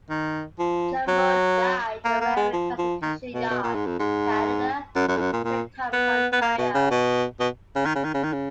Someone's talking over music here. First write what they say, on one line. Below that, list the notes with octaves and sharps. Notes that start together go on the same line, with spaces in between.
Jumbo died at a railway classification yard in Canada at Saint Thomas, Ontario.
D#3
F3
F#3
A#3
A#3
G#3
F3
F3
D#3
B2
B2
A#2
G#2
F2
G#2
F#2
F#2
F2
F#2
A#2
A#2
B3
B3
A#3
B2
C#3
B2
B2
C#3
D#3
C#3
D#3
C#3
D#3
C#3